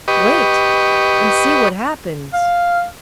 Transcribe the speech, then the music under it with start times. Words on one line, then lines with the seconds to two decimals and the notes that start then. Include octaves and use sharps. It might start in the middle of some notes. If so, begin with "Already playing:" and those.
Wait and see what happens.'
0.08 G4 B4 D#5 C#6
2.33 F5